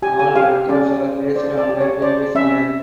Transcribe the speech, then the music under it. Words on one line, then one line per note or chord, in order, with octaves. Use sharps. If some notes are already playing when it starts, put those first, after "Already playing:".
All records are based on the previous year.
G4 G#5
G#5
G4 F5
C#4 D5
C5
C5 D5
D5
G4
C#5
C5 D5
C#4 E5